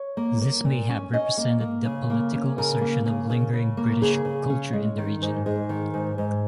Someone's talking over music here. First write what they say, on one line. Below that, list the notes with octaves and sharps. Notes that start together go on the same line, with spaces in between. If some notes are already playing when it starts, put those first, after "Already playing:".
This may have represented the political assertion of lingering British culture in the region.
Already playing: C#5
A#3
A#3
A#2
C#4
C#4 D#5
A#3
A#3
C#3
A#3
C#4
C#3 A#4
A#3
C#3
C#3
C#3
A#3
C#3 G#4
C#3
C#4
G#3
D#3
G#2
G#2 G#4
D#3
G#2
G#2